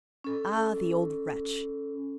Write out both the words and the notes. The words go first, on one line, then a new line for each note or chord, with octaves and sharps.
Ah, the old wretch!
C#4 A4